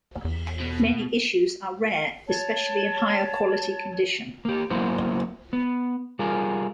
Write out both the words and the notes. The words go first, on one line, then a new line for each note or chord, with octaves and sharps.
Many issues are rare, especially in higher quality condition.
E2
B2
C#5 A5
A#3 G4
F#3 A#3 B3 E4 C5
B3
G3 F4 G#4 A#4